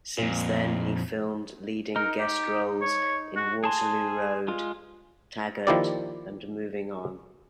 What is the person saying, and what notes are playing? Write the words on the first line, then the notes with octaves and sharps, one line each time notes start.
Since then he filmed leading guest roles in "Waterloo Road", "Taggart" and "Moving On".
F2 A#2
D#4 A#4
G4
C#5
F#4
G#4 G#5 A5 C6
G#3 F4
D#3 F3 A#3 E4 G4 D5